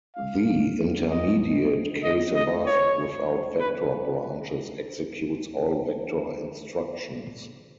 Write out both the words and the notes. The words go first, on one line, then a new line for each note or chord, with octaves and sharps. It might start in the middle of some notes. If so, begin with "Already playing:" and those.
The intermediate case above, without vector branches, executes all vector instructions.
F5
D#5
D#5
D#5
C#5
B4